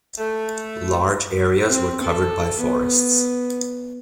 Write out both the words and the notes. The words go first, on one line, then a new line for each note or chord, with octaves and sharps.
Large areas were covered by forests.
A3
C4
A4
B3